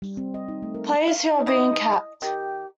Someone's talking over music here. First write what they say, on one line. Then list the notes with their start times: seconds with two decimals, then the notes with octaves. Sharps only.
"Players who have been capped".
0.02 G3
0.17 C4
0.34 D#5
0.48 D#4
0.62 A3
0.75 A#4
1.07 F5
1.32 D#4
1.47 E4 C#5 D#5
2.22 D#3 G4